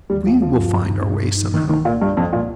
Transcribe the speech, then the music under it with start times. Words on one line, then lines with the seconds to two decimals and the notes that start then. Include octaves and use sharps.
We will find our way somehow.
0.10 D#2 G3
0.26 D#2 F3
0.42 F3 C4
0.57 G2
0.73 G2
0.90 D#4
1.05 G2
1.22 G2
1.37 D#4
1.53 C2 D#3
1.69 C2 D#3
1.85 A#2 A#3
2.02 C2 G2
2.17 F2 C4
2.32 A#2 G3